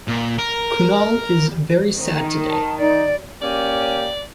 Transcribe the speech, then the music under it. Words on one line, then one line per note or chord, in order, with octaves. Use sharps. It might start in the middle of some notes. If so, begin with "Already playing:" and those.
Kunal is very sad today.
A#2
A#4
D#3
A5
D#4 D5
A#3 C#4 G4 D5